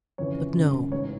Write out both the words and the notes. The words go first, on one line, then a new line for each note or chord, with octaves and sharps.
But no.
F2 C#3 E3 C#5
G#1 F#2 C#3
A1 G#2 E3 C#5